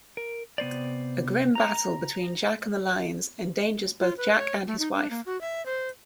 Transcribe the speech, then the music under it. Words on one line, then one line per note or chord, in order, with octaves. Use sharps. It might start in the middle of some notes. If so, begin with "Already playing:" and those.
A grim battle between Jack and the lions endangers both Jack and his wife.
A#4
C3 B3 C5 D5
A#5
F4
B4
C#5
A3
D#4
D4
A#3
F#4
E5
C5